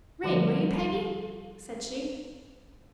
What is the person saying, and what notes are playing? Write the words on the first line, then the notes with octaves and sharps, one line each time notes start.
"Ring, will you, Peggy?" said she.
D3 F3 G3